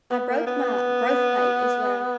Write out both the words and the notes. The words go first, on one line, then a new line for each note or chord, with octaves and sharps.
I broke my growth plate, is what I
B3
A#3
B3